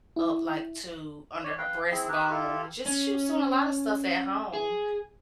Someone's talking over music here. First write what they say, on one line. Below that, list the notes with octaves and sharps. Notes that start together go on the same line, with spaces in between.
up, like, to, under her breastbone, just she was doing a lotta stuff at home,
E4
C#5 D5
B4 F5 G5
C4 E4 G#4
G4 A#4 B4
E4 F4 G4 A4
C#4
G#4